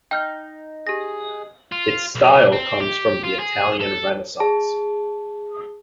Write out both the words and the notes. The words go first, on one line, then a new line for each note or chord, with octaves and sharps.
Its style comes from the Italian renaissance.
D#4 G5 F6 G6
G4 G#4 A#6
F4
B1
C4
G4
F4
G#4
A4
G#4 A5